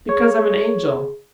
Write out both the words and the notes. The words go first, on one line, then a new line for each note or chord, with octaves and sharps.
"Because I'm an angel."
G#4 C#5